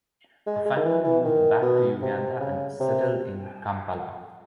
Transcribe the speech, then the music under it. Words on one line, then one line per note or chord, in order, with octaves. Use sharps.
Her family moved back to Uganda and settled in Kampala.
G#3
G#3
D#3
E3
E3
D#3
B2
C3
C#3
C3